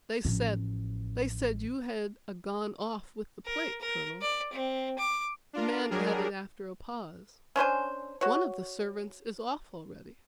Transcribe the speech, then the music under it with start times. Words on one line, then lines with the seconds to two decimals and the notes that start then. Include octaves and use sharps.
They said--they said you had gone off with the plate, Colonel"--the man added after a pause--"One of the servants is off already.
0.25 A1 F3
3.45 A#4
3.81 A#4
4.21 D5
4.53 C4
4.98 D6
5.53 D4 F4 A#4
5.91 F#3 G3 D4 G#4 A#4
7.56 C#4 D4 C5 G#5
8.21 F#4 C#5